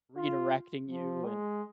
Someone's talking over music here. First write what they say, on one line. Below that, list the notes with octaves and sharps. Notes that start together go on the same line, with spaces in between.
redirecting you, and
F4
F3
G#3